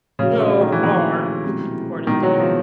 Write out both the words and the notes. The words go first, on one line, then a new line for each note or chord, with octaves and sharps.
"No harm?" retorted Diamond.
A#2 C#3 F3 A3 C#4 F#4
D3
D#3
E3
D#3 F3 A#3 D4 G4
B2 G#3 C4 E4 G4
B2 D#3 G#3 B3 E4
F#3
F3